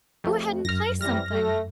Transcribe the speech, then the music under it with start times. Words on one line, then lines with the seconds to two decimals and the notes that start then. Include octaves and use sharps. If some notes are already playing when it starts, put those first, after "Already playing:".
"Go ahead and play something."
0.24 F2 A3
0.65 F#2 F6 A#6
1.01 C3 E3 G3 F6 A#6
1.31 A3